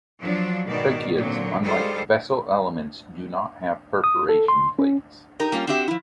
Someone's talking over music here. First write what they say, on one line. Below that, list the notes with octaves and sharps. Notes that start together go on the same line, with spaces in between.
Tracheids, unlike vessel elements, do not have perforation plates.
F3 F#3 D4
G#2 B2 D#3 D5
A#2 D3 F#3 C4
D#3 G3 G#3 F4 A4 C5
D#6
A4
C6
C#4
D#4 G4 A#4
G3 A#3 C#4 F4
C4 D4 F#4 G4 E5
F3 E4